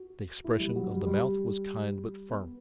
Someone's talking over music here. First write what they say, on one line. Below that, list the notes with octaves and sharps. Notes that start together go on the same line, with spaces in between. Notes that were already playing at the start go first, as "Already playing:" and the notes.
The expression of the mouth was kind but firm.
Already playing: F#4
E4
G3
F#3
G3
G3
B3